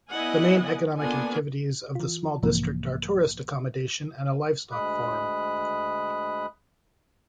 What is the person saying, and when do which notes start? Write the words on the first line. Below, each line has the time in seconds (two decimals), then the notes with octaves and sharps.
The main economic activities of the small district are tourist accommodation and a livestock farm.
0.11 B3 E4 D5 D#5 F#5 G#5
0.98 A#3 B3 D4 F4 A4 G#5
1.95 E3 F4
2.43 B1 G#2 C3 E3 F3 A#3
4.72 D2 G#3 B5 D#6 F#6